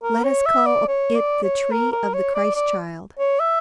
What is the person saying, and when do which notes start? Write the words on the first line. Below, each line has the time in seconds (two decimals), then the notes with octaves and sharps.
Let us call it the tree of the Christ-child.
0.03 A#4
0.24 C#5
0.46 E5
0.66 D5
0.88 C#5
1.15 D5
1.43 C#5
1.71 A#4
1.92 A#4
2.14 C#5
2.35 D5
2.55 D5
3.19 C#5
3.40 E5